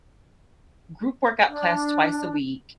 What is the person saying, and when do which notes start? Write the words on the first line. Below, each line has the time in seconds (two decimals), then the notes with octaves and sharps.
group workout class twice a week,
1.48 D4